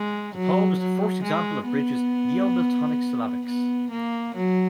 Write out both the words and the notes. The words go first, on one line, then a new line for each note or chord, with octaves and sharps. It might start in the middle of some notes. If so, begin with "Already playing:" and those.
The poem is the first example of Bridges' Neo-Miltonic Syllabics.
Already playing: G#3
F#3
F#3
G#3
B3
B3
A#3
F#3